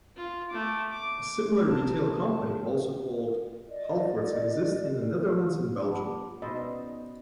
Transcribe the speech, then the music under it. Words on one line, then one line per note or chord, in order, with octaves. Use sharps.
A similar retail company also called Halfords exists in the Netherlands and Belgium.
F4
A3 D6
D6
C3 A#3 D#4 A4 A5
D5 D#5
A#3 F4 F#5 A5 B5 D6
B2 B3 D#4 C5 D#5 B5 E6 A6
C#4 B4 D5